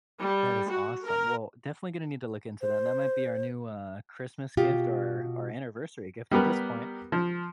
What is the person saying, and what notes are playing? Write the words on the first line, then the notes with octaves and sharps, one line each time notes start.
That is awesome, well, definitely gonna need to look into that, that might be our new, uh, Christmas gift or or anniversary gift at this point,
G3
F#4
A#4
C5
B2 F4 G4
G3 B3 G4 A#4 B4
F3